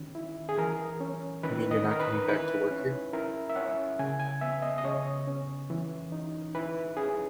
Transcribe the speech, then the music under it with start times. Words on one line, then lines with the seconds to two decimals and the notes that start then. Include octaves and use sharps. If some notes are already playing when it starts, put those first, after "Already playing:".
You mean you're not coming back to work here?
Already playing: D#3 C#4
0.15 E4
0.49 G#4
0.58 E3 A#4
1.01 C#4
1.43 D#3 B4
1.71 D#5
1.85 D#4
1.91 A#4
2.00 B4
2.28 E4 B4
2.71 C#4
3.13 E4 A#4
3.50 E5
3.56 C#4 F#5
3.99 C#3 G#5
4.20 G#5
4.41 B3 E5
4.62 D#5
4.78 D#5
4.84 C#3 C#5
5.27 C#4
5.70 E3
6.12 D#4
6.55 E4 B4
6.97 C#4 G#4